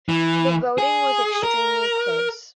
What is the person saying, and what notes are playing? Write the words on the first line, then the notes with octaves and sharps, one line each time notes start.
The voting was extremely close.
E3
G#4
A#4